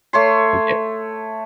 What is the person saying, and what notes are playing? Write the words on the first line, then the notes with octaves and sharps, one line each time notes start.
And get
A3 C#5 C6